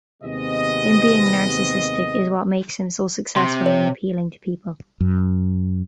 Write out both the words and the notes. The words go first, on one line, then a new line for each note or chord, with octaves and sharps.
Him being narcissistic is what makes him so successful and appealing to people.
D#2 C3 G#3 B3 C4 D#5
C3 C6
C#5
F#2